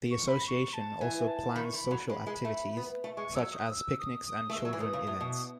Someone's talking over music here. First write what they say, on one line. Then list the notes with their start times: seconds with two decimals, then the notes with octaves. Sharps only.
The Association also plans social activities, such as picnics and children events.
0.11 C#6
0.28 B5
0.47 C#6
0.73 A5
1.01 E3 G#5
1.27 A5
1.55 D#3 B5
1.65 C#6
1.73 D#3 B5
1.91 F#3
2.09 G#3 B5
2.27 G#3
2.45 A3
2.77 B3
3.04 A3
3.17 G#3 C#6
3.35 F#3 E6
3.53 D#6
3.72 E6
3.99 D#6
4.26 D#6
4.50 A3
4.53 G#3 E6
4.65 F#3
4.73 E3
4.80 D#3 D#6
4.93 C#3
5.07 A2
5.21 B2
5.33 D#6